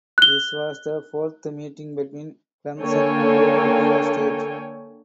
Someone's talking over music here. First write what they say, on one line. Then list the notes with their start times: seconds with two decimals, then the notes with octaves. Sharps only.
This was the fourth meeting between Clemson and Ohio State.
0.18 F#6 G7
2.81 D3 A#3 A4 C#5 G5 G#5